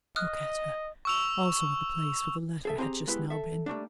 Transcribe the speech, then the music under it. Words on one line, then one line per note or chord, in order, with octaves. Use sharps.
I look at her, also at the place where the letter had just now been.
D#5 D#6 F6 F#6
C#6 E6 F7
G#4 A4 E5
C4 G4 G#4 G5 A#5
G#3 B3 E4 G4 B4
A4 E5
G3 A3 A#3 D4